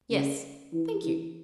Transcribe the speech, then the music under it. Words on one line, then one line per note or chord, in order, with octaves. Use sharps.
Yes, thank you.
C#3
E3
E3